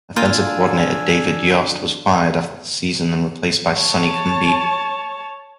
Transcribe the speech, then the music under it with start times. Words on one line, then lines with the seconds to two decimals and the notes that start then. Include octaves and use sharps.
Offensive coordinator David Yost was fired after the season and replaced by Sonny Cumbie.
0.16 A#3 D4 F4 G#5 E6 G6 D#7
3.77 C#5 A5